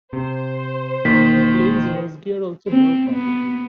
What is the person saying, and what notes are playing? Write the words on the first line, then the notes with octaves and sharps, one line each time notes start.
The plane's nose gear also broke off.
C3 C5
E1 B2 D#3 A#3 B6
C4
B3